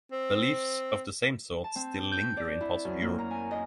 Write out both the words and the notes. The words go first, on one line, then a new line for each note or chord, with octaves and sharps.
Beliefs of the same sort still linger in parts of Europe.
C4
A5
C4
G6
D5
E4
F#2
A#3
A#5
G#5
D#5